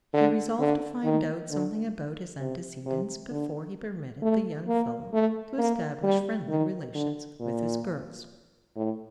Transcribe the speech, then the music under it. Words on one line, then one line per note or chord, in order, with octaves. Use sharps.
He resolved to find out something about his antecedents before he permitted the young fellow to establish friendly relations with his girls.
D3
D3
D#3
D3
C3
C3
D3
A3
A#3
A3
A#3
G3
D#3
D3
A#2
A2